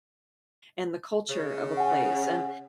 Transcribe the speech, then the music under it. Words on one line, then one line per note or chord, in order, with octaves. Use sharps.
and the culture of a place." And,
C#3
F#5 G#5